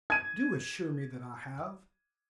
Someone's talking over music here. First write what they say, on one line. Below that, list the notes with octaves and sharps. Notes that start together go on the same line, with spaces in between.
Do assure me that I have.
G#6 D#7